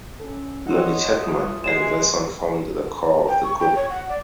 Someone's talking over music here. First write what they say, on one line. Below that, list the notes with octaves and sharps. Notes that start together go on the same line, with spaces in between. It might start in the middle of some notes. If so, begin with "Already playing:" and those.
Lonnie Chatmon and Vinson formed the core of the group.
C#4 A4
B4 C#5 D#5 F#5 C6
F4 A4 C#5 E5 D#6
E3 G#3 G#4 G#5 C7 E7
G5
C#6
G5
C#5
F#5
D5